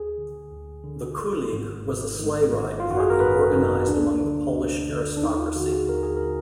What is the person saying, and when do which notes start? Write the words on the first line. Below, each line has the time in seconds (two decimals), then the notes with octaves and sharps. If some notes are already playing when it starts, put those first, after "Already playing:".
The kulig was a sleigh ride party organized among the Polish aristocracy.
Already playing: D2 G#4
0.18 D3
0.51 D2
0.84 D3
1.18 G#1
1.52 G#2 D#3
1.86 G#1
2.19 G#2 D#3
2.53 G#1
2.80 F4
2.87 F#2 D#3 F#4
3.00 G#4
3.10 A#4
3.20 G#1 B4
3.53 F#2 D#3
3.88 D2 D4
4.21 D3
4.54 D2
4.89 D3
5.17 D4
5.21 D#2 D#4
5.38 F4
5.56 D3 F#4
5.72 G#4
5.89 D#2 A#4
6.03 G#4
6.16 A#4
6.23 D3